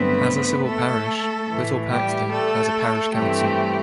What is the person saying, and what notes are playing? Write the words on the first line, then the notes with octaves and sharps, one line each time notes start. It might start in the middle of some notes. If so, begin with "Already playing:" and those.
As a civil parish, Little Paxton has a parish council.
Already playing: G2 D3 F#3 A3 B3 C4 B4
A3 A4
A2 E3 A3
G3 G4
A3 A4
G2 E3 G3 A3 C4 G4